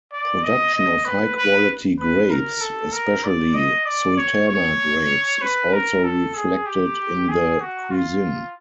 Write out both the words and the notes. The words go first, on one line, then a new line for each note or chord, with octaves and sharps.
Production of high quality grapes, especially Sultana grapes is also reflected in the cuisine.
D5
D#5
D#5
B4
B4
B4
A#4
A4
A#4
D5
D#5
D5
C#5
C#5
B4
A#4
A4
G#4
G4
G#4
F#4
F4